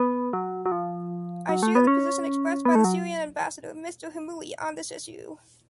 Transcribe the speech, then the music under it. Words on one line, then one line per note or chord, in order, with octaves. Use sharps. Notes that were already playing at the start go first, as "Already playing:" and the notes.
I share the position expressed by the Syrian Ambassador, Mr. Hamoui, on this issue.
Already playing: B3
F#3
F#3
F3
F#3
A3
B3
C#4
B3
A3
F#3